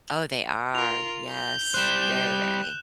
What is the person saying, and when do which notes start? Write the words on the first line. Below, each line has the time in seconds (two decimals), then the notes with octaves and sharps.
Oh, they are. Yes. Very, very.
0.75 F4 A#4 F7
1.33 G6
1.74 G3 C5 F#6 E7